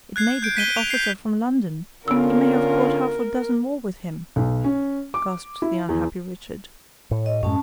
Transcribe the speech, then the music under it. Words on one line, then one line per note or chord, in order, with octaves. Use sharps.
"It may be that officer from London; he may have brought half a dozen more with him!" gasped the unhappy Richard.
F#6 G#6 C7
G6 D7
B6 D#7 G7
F7
G6 C7
D3 B3 C#4 F4 A#4 E6
B1
C#4
D6
E4
E2
A2 C#5
D#5
F#2 A2 G#3 C#4 A5